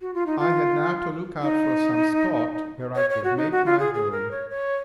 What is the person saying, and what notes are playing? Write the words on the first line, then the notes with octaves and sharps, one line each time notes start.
I had now to look out for some spot where I could make my home.
F#4
F4
D#4
F4
D#4
C#5
C#5
F#4
D#4
F#4
F4
G#4
G#4
A#4
C#5
C#5